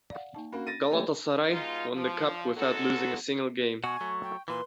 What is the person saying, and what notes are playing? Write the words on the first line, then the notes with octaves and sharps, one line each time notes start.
Galatasaray won the cup without losing a single game.
D5 F5 F#5
A#3 D#4 A5
A#3 C#4 D4 F#4 B5
A6 A#6 D#7
F#3 A3 A#3 G4 A4 C#5
B2 G#3 D#4 F4
F3
G#2 F#3 G#3 D#4 F#4 A4
B2 F#4 G#5 C#6
F#3 A3
G5
A#2 E3 B4 C6